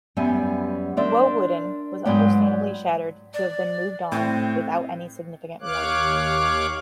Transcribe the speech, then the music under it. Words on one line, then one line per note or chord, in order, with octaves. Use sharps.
Woewodin was understandably shattered to have been moved on without any significant warning.
F#2 G3 B3 E5 G#5
D4 A#4 C5 D5 E5
G#2 F#3 B4 D5 G5
D5
A2 C4
D#2 C#5 F5 D6 F#6